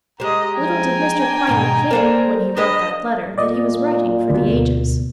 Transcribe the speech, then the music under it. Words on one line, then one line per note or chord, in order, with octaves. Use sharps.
Little did Mr. Quiney think, when he wrote that letter, that he was writing for the ages.
G#3 G4 C5 D#5 A#5
F3 G5 G#5
D4
D#2 G#2 B2
A#3 D4 A4 C5
D4 G4 B4 D#5
A#2 D5 D#5
D2 B2